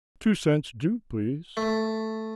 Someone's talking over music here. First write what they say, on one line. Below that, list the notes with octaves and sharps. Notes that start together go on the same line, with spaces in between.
"Two cents due, please."
A3